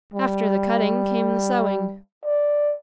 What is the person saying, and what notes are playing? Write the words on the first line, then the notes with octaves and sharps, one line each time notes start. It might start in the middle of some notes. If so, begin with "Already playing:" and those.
After the cutting came the sewing.
G3
D5